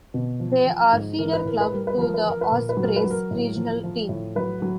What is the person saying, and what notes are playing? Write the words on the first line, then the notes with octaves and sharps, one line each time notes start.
They are feeder club to the Ospreys regional team.
B2
F3
F3
G#2
E3 A#4
B4
A2 A#4
B4
G3 A#4
B4
F3 A#4
B4
F3 A#4
B4
A#2 A#4
B4
F#3
A#4
B4
F#3
A#4
A2
F3
F3
A2
F#3 B4
F#3